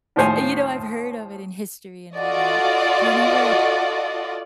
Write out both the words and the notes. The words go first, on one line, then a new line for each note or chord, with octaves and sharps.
it. You know, I've heard of it in history and all that, but I never s
D#2 A2 F3 C5 C#5 G#5
F4 F#4 A4 D5 D#5